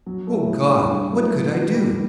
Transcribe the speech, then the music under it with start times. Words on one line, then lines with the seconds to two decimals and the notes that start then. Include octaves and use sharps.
Oh God! what could I do?
0.06 F#3
0.27 A3 E4 A4 C#5
0.48 A2
0.69 G3 D4 G4
0.90 G2
1.12 F#3 A3 E4
1.32 E3
1.54 B3 F#4
1.74 G3